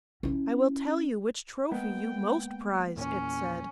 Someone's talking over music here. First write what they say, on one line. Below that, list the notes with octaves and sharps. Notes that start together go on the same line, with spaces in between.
"I will tell you which trophy you most prize," it said.
C#4 E4
G#3 A#3 B3 G5
E2 A#2 C#4